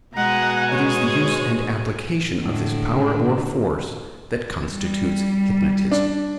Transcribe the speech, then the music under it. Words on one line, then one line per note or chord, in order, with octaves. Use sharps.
It is the use and application of this power or force that constitutes hypnotism.
B2 G#3 G#4 F#5 A#5
C#5
A2 D3 G#3
G3
D4